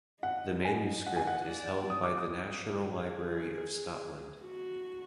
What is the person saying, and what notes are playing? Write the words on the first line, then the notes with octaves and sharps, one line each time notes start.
The manuscript is held by the National Library of Scotland.
D#5 F#5
G#5
D#5 F#5
G#5
F#5
D5
D#6
D6
D#6
G#4
F#4